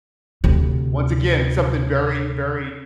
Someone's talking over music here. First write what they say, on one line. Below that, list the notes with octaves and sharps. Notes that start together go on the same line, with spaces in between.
once again, something very, very
D2 C3